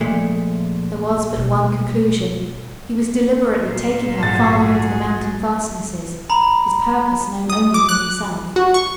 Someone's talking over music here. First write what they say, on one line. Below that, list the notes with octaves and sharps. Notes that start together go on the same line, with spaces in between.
There was but one conclusion: he was deliberately taking her farther into the mountain fastnesses, his purpose known only to himself.
A#2 F3 G#3 A3
B2 G3
A#2
A#1 G#2 F#3 F#4 G#4 A6
A#5 B5
D#6
D6
F#6
F#4
C#6